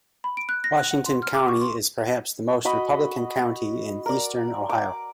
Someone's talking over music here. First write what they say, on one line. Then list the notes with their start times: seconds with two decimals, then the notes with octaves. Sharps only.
Washington county is perhaps the most Republican county in eastern Ohio.
0.24 B5
0.37 D7
0.49 F#6
0.64 A#6
0.77 F#6
0.91 F#5
1.06 C6
1.23 F6
1.34 D6
1.48 C#6
1.61 C6
2.65 F#4 D#5 B5
4.06 A#4 D5
4.69 D6